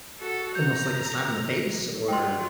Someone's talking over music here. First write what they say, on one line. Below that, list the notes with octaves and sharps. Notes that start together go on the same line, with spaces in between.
almost like a slap in the face or,
F#4 A4
A#5 G6
F#3 F4 G5 C6